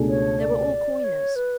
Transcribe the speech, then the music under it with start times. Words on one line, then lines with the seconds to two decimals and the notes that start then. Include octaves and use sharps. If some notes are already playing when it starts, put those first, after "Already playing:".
They were all coiners.
Already playing: C#2 B2 A3 D4 G#4
0.08 C#5
0.40 D5
1.04 C#5
1.36 B4